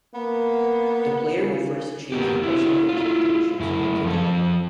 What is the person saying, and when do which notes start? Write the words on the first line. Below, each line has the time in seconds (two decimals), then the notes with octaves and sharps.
The player who first achieves his personal victory conditions wins the game.
0.15 A#3 B3
1.34 C#3
2.12 A#3 B3 G4
2.43 E4 F#4
2.89 E4 F4
3.60 F#2 E4
4.03 F3 A4